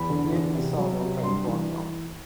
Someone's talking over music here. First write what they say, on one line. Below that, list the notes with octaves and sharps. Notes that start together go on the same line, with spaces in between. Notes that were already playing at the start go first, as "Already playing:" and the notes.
They lived in southern California.
Already playing: E2 B5
D3
E2
C3
F#3
C3
G2 C6
E3